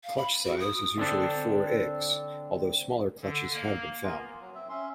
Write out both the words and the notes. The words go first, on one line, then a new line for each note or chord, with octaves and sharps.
Clutch size is usually four eggs, although smaller clutches have been found.
F5
B5
F#4
D#6
D3 C4 D4
D3
A#3
B3 F4 A#4 G#5
A#3
F#3
C4 E5
C#4 E5 C6